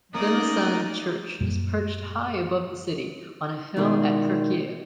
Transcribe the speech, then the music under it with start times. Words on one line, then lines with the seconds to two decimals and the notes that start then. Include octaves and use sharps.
Lillesand Church is perched high above the city on a hill at Kirkeheia.
0.14 A3 A#3 C#4 D#4 D5 D#5 D#6
1.41 F#2 A#2 G3 A#3
3.76 B2 D#3 G#3 E4 G#4 D5